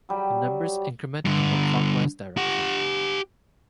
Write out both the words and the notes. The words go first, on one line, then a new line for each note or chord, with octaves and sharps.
The numbers increment in the clockwise direction.
F#3 G3
G2 D3
G4 F#5